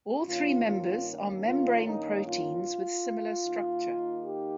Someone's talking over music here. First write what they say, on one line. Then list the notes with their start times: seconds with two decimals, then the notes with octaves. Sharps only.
All three members are membrane proteins with similar structure.
0.24 G2 D#3 A#3 C#4 F4
0.64 F4
1.44 F4
1.84 D#4
2.24 F4
3.44 D#3 A#3 D#4
4.24 G4